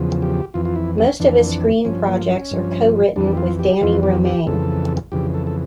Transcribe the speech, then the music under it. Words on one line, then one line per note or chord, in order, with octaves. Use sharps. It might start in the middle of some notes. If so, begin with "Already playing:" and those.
Most of his screen projects are cowritten with Dani Romain.
Already playing: E2 C#3 F3
G4
F2 E3 F4
F4
E4
C#4
F2 E3 D4
G2 F3 C#4
A#3
C#4
G2 F3
F2 E3 D4
G4
F4
G4
F2 E3 F4
G4
G4
F2 C#3 E3 A4
F2 C#3 E3 G4
A4
A4